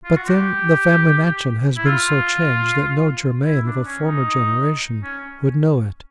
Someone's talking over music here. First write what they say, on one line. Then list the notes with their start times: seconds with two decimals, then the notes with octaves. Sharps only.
But then the family mansion has been so changed that no Germain of a former generation would know it.
0.04 F4
0.16 F#4
0.28 G4
1.77 E4
1.86 F4
3.45 E4
3.65 D4
3.84 C#4
4.04 D#4
5.03 C#4